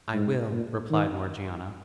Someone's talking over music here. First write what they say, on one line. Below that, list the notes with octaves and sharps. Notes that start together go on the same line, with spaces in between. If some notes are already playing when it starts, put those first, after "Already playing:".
"I will," replied Morgiana.
G#2
A#2
D#3